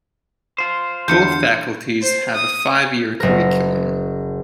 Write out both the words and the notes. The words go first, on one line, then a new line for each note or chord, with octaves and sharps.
Both faculties have a five-year curriculum.
F4 C5
E2 D3 E5 G6 C#7
C5
D#6
F#1 A#4